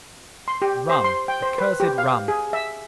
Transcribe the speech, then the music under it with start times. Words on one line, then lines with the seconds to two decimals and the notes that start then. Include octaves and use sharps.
RUM, accursed RUM!
0.48 C6
0.62 G4
0.89 C5
1.04 C6
1.28 G5
1.42 C5
1.58 B4
1.80 G4
1.98 F5
2.28 G#4
2.53 E5